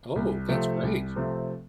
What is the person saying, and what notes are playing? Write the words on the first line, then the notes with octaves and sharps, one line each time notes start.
Oh, that's great.
C2
C3 F3 A3 C4
C2
C3 F3 A3 C4